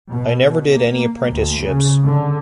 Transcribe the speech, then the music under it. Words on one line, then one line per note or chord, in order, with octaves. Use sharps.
I never did any apprenticeships.
B2
A#3
D2
C#3
D3